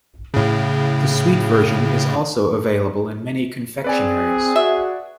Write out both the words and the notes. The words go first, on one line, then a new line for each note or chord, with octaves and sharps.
The sweet version is also available in many confectioneries.
A2 C#3
C4 G#4 B4 D5 G#5
F#4 E5